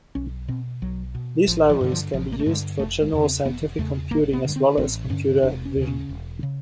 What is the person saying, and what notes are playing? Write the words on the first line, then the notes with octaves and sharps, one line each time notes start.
These libraries can be used for general scientific computing as well as computer vision.
B1 C#4
B2 C4
B1 F#3
B2
A1 F3
F3
G2 D3
F3
A1 F3
A#3
A3
G2 D3 G#3
F1 A3
G#3
E2 C#3
C4
F1 B3
E2 C#3 A3
A1 A#3
B3
G2 D3
C4
A1 C4
G2 D3 C#4
E1 D4
C#4
D#2
C#3
C#4
E1
C#3